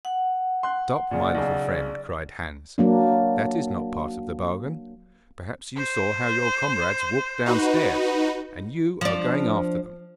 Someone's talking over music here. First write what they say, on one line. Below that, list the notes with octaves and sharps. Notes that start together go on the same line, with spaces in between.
'Stop, my little friend!' cried Hans. 'That is not part of the bargain! Perhaps you saw how your comrades walked down stairs, and you are going after them.
F#5
C6 F#6
A#2 C#3 D5
B1 C#3
F#3 A#3 D4
C5
D#4 F#4 B4
F3 D4